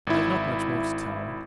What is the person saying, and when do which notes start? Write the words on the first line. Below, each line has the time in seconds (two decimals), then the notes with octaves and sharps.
I have not much more to tell.
0.07 G#1 E4